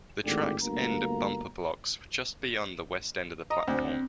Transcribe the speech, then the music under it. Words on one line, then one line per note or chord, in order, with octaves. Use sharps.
The tracks end at bumper blocks just beyond the west end of the platform.
G#1 A2 D3 G4
G1 D2 A#3 A#5
D#5 A#5
D2 C4